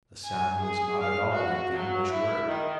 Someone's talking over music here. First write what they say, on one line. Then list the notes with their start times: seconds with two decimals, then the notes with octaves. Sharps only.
The sound was not at all like the English word.
0.25 G#5
0.61 G#4
1.01 F5
1.33 F#4
1.74 F#3
2.11 E4
2.47 D#3